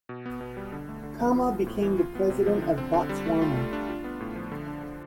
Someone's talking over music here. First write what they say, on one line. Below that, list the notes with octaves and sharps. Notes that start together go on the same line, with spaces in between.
Khama became the president of Botswana.
B2
B3
B2
G3
D3
A3
D3
F3
F4
B3
A2
E3
F4
B3
C3
F3
D3
C4
D3
G3
A3
F4
A3
D4
F4
B3
A2
F3
D3
D4
D3